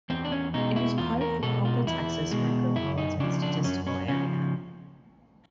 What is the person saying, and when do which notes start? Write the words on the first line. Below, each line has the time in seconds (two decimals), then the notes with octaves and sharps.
It is part of the Pampa, Texas Micropolitan Statistical Area.
0.10 E2 C4
0.24 D4
0.32 C#4
0.54 B2 G#3 D#4
0.76 E4
0.98 E2 F4
1.21 A#4
1.43 B2 G#3 A4
1.65 F4
1.87 E2 E4
2.31 B2 G#3
2.76 F#2 E4
2.98 D#4
3.20 C#3 F3 D4
3.42 D4
3.64 F#2 C#4
3.87 C#4
4.08 C#3 F3 C#4